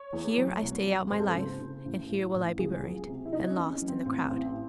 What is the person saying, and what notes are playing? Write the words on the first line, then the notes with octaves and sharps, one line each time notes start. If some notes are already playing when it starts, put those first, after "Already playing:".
Here I stay out my life; and here will I be buried, and lost in the crowd.'
Already playing: C#5
E2
F#3
C2
F#3
G#1 C5
A4
C5
C#3
C#3
A1
A2
A1
C#2 G#4
F#3
C3
E4
C3 D#4
C#4
E2
C#4
F#3
C4
A1 C4
A1 C4